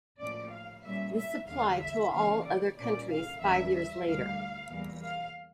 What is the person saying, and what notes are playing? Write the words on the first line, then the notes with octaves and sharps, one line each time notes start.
This applied to all other countries five years later.
A2 F3 A#3 C#4 D5
F5
A#2 G3 A#3 C#4 E5
E5
E2 D3 G3 C#4 F5
E5
C#3 E3 A#3 C#4 F5
D5
A#2 G3 A#3 C#4 D5
F5
E2 D3 G3 C#4 E5
E5
D2 D3 G3 F5
E2 E3 G3 A#3
F5